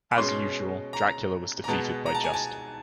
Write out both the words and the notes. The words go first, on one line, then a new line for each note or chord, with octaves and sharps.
As usual, Dracula was defeated by Juste.
B5
B2 G#3 C#4 C6
A#5
A#5
B2 G#3 B3 A5
A#5
A5
G#5
A5